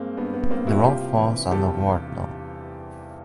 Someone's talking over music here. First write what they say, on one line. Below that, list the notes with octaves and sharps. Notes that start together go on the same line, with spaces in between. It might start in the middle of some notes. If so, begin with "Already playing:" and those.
The road falls under Ward no.
Already playing: G2 G#3 A#3 C4
G2 B3
B3
G2 A#3 C4
E4 F#4
C3 F4 G4
E3
E2 G4 A4